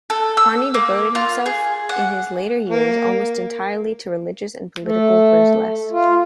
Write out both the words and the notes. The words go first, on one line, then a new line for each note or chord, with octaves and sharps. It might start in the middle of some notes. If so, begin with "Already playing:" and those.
Parny devoted himself in his later years almost entirely to religious and political burlesque.
A4
E6
A#3
F4
G#4
F#5
A#3
A3
F4